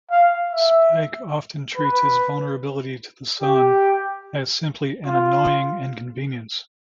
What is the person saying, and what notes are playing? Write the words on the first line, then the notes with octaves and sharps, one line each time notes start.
Spike often treats his vulnerability to the sun as simply an annoying inconvenience.
F5
E5
B4
G4
F4